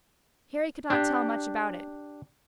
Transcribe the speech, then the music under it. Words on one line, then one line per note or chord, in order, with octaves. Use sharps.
Harry could not tell much about it.
D4 G4